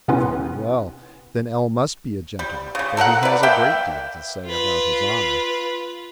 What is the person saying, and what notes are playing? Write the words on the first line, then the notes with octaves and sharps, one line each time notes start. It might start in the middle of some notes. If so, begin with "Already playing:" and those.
"Very well; then L--must be a gentleman, for he has a great deal to say about his honour."
C3 B3 C#4 E4 B4 C6
G3
C#3 G3
A4 A#4 D#5 F#5
B4 D5
A#3 E5 G5
F4 B4